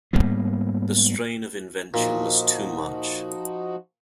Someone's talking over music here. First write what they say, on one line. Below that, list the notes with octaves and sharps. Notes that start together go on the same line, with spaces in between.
The strain of invention was too much.
G#2 G3 A#3 B3
A#2 F3 D#4 F#4